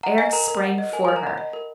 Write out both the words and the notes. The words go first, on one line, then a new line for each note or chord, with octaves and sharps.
Eric sprang for her.
F#5 A#5
D#5 G#5
A#4 A#5
A#4
F#5
D#5
A#4 G#5
A#4 G#5
A#5
F#5 B5
D#5
A#4